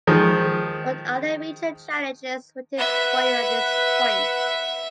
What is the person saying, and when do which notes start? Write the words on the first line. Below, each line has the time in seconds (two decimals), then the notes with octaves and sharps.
What are the major challenges waiting for you at this point?
0.07 D#3 F3 G#3
2.78 B4 E5 F#5